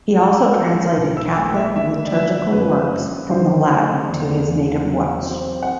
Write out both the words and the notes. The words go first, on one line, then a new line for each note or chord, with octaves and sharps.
He also translated Catholic liturgical works from the Latin to his native Welsh.
A2 E6
D6
E6
F#3
B1
E6
A3 G5
E5
D3 E5
D5
F#3 E5
F#2 B4
F#2
D3 C5
A3
E2 D5
E2
F#3
C4
F#5